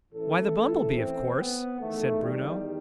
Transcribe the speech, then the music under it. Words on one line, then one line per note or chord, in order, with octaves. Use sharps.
"Why the bumble-bee, of course!" said Bruno.
A1 A2 E3 A4
C4
B3
E2 D#3 A3
G3